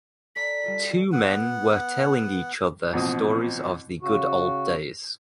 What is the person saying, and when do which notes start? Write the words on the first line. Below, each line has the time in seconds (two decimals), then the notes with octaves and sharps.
Two men were telling each other stories of the good old days.
0.36 A4 D5 A#5 B6
0.63 G3 F4 A4
1.13 B3 F#5
2.93 A1 B2 F3 C4 D#6
4.02 C#3 F#4